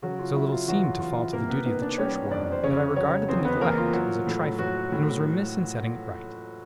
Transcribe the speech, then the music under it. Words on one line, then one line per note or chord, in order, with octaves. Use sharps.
So little seemed to fall to the duty of the churchwarden that I regarded the neglect as a trifle, and was remiss in setting it right.
C#3 F#3 F#4
F4
F#3 E4
F4
E2 F#3 F#4
F4
E2 F4
E4
C3 A#3 A#4
B3 B4
D#3 B3 B4
D4 D5
G3 C#4 C#5
F2 D4 D5
C5
C#3 C#4 C#5
F#3 C#4 C#5
E2 C4 C5
B3 B4
E2 A#3 A#4
F4
F#3
A2
F#3 F#4
A2